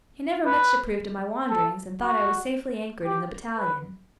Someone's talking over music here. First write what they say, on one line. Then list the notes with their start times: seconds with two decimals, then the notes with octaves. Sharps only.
He never much approved of my wanderings, and thought I was safely anchored in the battalion.
0.46 B4
1.50 A4
2.02 F#4
3.06 G4
3.58 B4